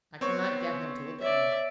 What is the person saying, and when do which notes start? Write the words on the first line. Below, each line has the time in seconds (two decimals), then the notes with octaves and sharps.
"I cannot get him to look at me."
0.21 B3 C4 B4 C#5 C#6
1.20 C#5 D5 E5